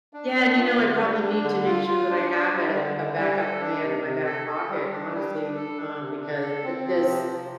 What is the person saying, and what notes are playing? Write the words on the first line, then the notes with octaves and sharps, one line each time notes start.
Yeah, and, you know, I probably need to make sure that I have it a backup plan in my back pocket, honestly, um, because it is
D4
D4
F4
D3
G3
D4
D3
F4
F4
D4
D4
G3
D3
D3
G3
A4
D4
C3
C3
A4
A4
G3
D4
G3
D4
A4
D4
C3
D4
A4
C4
F3
C3
F3